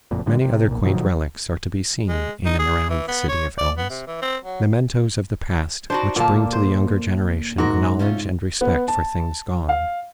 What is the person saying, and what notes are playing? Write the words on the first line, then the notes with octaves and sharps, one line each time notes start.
Many other quaint relics are to be seen in and around the city of elms, mementos of the past which bring to the younger generation a knowledge and respect for things gone.
F#1 F2 A#2
A2 D3 G3
C3
B1 A#2
B2 D#3 F3 F#3
G#3
D#4
G#4
E3
B3
C#5
D5
B3
C3
E3
C4
F#3
D4 D#4 F#4 C5
A#2 D3 A#3 A5
C5
G#2 F#4 A#4
C3 C#4 F4
B3
A5
F5